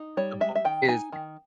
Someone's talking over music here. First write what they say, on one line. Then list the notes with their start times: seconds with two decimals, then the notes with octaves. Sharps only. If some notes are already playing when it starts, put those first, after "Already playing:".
the book is,
Already playing: D#4
0.17 G3 C#5
0.41 G#3 E5
0.55 E5
0.65 D#3 G5
0.88 D#4 G#5
1.12 D#3